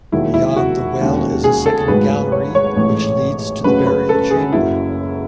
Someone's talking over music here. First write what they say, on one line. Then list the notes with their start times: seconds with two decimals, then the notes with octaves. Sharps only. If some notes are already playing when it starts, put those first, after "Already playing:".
Beyond the well is a second gallery which leads to the burial chamber.
0.12 E1 D#2 D#3 F#3 E4
0.34 E4
0.56 F#4
1.00 E1 D#2 C#3
1.44 G#4
1.66 A4
1.88 G#1 G#2 F#3 A3 B4
2.32 C#5
2.55 C#5
2.77 A1 G#2 E3 A3
3.64 F#2 C#3 F#3 A3 B4
3.87 B4
4.09 A4
4.31 G#4
4.52 F#1 F#2 C#3 F#3 E4